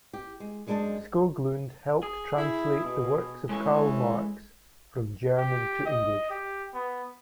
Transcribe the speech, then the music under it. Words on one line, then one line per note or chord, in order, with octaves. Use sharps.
Skoglund helped translate the works of Karl Marx from German to English.
G4
G#3
F#2 G#3 D4 C5 D#5 A5
G#4
E4
B2
E3 G#3 A3 C#4 G#5
G4
D#5
G4
B3